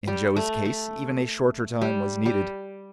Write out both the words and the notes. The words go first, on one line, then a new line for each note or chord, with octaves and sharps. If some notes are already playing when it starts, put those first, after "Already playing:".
In Joe's case even a shorter time was needed.
G3
A3
A3
G3
G3